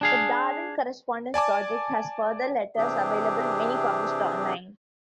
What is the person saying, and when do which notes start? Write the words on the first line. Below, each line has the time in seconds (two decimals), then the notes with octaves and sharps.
The Darwin Correspondence Project has further letters available, many published online.
0.01 D4 G#4 F5
1.34 D5 G#5 A5 D6
2.77 C3 E3 C4 D4 G4 G#4